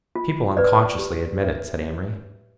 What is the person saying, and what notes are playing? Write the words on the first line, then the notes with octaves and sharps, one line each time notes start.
"People unconsciously admit it," said Amory.
F4
B4 D5
G4
B4 E5